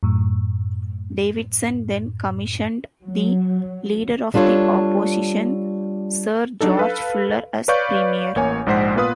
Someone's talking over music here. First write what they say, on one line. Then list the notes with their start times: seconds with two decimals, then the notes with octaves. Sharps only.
Davidson then commissioned the Leader of the Opposition, Sir George Fuller, as Premier.
0.03 F#2 A2
3.03 F#3
4.34 G3 D4 F4 A4 C#5
6.61 F#3 D4 D#4 A4
6.77 A4 B4 F5
7.68 B4 C#5 D5 F5 C#6 G6
8.36 A1 A#3 C#5 G#5
8.66 A#1 G#2 G#3 C5 F#5 B6
8.96 A#2 B3 F4 B4 F5 D#6